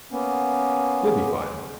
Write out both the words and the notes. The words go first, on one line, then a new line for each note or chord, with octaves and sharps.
"You'll be fine."
A#3 B3 C#4